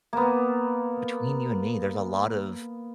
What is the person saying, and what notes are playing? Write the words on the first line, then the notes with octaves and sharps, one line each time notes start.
between you and me, there's a lot of
A#3 B3